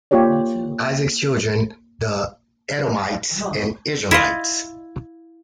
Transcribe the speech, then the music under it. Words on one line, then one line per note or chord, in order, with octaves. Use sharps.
Isaac's children the Edomites and Israelites.
A#3 F4 G4 C#5 D5
E4 F4 D#5